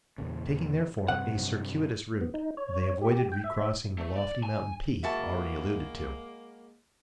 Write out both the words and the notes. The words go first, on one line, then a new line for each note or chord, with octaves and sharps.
Taking therefore a circuitous route, they avoided recrossing the lofty mountain peak already alluded to.
E2 A#2 C#3
G2 C3 F#5
G2 C3 F#3
B3
D#4
C#5
G4
G5
E5
A3
D5
G#5
G#3 A#3 E4 F#4 A5